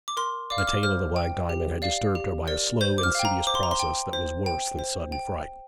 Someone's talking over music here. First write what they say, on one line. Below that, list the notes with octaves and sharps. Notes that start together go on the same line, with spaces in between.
The tale of the Black Diamond had disturbed her by a slow, insidious process that was worse than sudden fright.
D6
A#4 C6
D5 F5 D6
F6
D6
C5 F6
G5
G4
D5 F5
G4
A#4 D5
C5 G6
D6
F6
F5 G5
A#5
C5 D6
C6
A#5
C6
G5
C5
G5
C5
G5